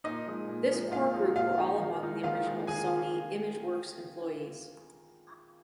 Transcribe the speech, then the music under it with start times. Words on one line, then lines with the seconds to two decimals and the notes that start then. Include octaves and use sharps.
This core group were all among the original Sony Imageworks employees.
0.04 A#2 D#4 D#5
0.26 F3 G#3 D#4
0.48 A#2
0.71 F3 G#3 D#4
0.92 A#2 F4 F5
1.14 F3 G#3 D#4
1.35 A#2 F4 F5
1.58 F3 G#3 D#4
1.80 D#3
2.02 G#3 D#4
2.23 D#3 F4 F5
2.46 G#3 D#4
2.67 D#3 G#4 G#5